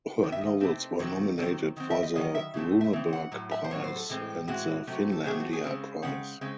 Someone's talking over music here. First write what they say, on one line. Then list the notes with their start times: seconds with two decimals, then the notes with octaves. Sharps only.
Her novels were nominated for the Runeberg Prize and the Finlandia Prize.
0.23 C3 D#3
0.32 E5
0.41 D#5
0.61 C3 D#3 A3 C4
0.99 C3 D#3 F#3 C4
1.38 C3 D#3 F#3 C4
1.76 D#3 F#3 C4
1.90 E5
2.03 D#5
2.16 D#3 F#3 D#5
2.35 E5
2.54 C#3 E3 A3 C4
2.81 E5
2.93 C#3 E3 C4
3.13 F#5
3.32 A2 F#3
3.51 E5
3.64 C5
3.70 A2 F#3 C4 C#5
3.84 C5
3.96 A4
4.09 A2 E3 G#3 C4
4.47 A2 E3 G#3 C4 F#4
4.87 C3 F#3 A3 C4
5.12 A4
5.25 C3 F#3 A3 C4 G#4
5.40 F#4
5.53 G#4
5.64 C#3 G#3 C4
6.02 C#3 G#3 C4 F#5
6.41 C#3 G#3 C4